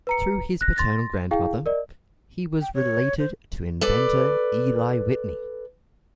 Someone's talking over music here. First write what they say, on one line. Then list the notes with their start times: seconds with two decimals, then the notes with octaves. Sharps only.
Through his paternal grandmother, he was related to inventor Eli Whitney.
0.07 B4 A#5 C#7
0.61 F#6 A#6
0.76 C6 A6 A#6
1.31 E4 G#4 F5 G5
1.66 A#4 D5 D#5
2.61 G5
2.75 C#5
3.19 C5
3.81 A4 B4 D5